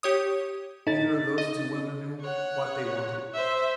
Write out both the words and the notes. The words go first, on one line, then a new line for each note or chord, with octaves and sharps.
Neither of those two women knew what they wanted.
G4 C#5 D#6
A2 D#4 A6
D#5
C#5 F#5
C5 E5